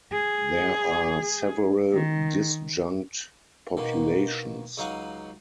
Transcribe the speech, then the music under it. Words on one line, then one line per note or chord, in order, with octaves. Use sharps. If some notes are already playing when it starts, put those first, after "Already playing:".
There are several disjunct populations.
G#4
D#3
B2 D#3 A#3
C#2 F#3 D#4 F5 F#5 D#6